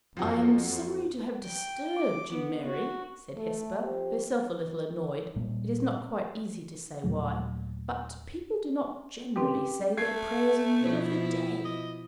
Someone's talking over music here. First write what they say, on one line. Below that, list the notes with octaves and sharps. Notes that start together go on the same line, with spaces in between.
"I am sorry to have disturbed you, Mary," said Hesper, herself a little annoyed, it is not quite easy to say why; "but people do not generally say their prayers in the middle of the day."
F2 F3 F#3
G5
D6
B3
F#4
A3
F2 G4 C5
A#2 G3 A#3
D#2 A#2 F#3 A3
C4 C#4 G4 B4
A3 G#6 C7
B2 F3 E4
D#5